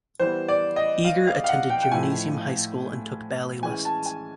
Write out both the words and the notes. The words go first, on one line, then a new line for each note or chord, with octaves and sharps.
Eger attended gymnasium high school and took ballet lessons.
E3 G3 B3 C5
D5
D#5
F5
F5
F5
F#5
G5
G5
A2 F3 A3 G#5
E3 G#3 C#4 G#5
A5
G#5